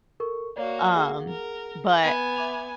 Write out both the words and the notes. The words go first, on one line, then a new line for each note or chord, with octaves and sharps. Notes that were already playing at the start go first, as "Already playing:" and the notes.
um but,
A4 A#4 C#6
A#3 F#4 C#5 D5
G#4 F#5
A#4
B3 G#5
E5 D6 F7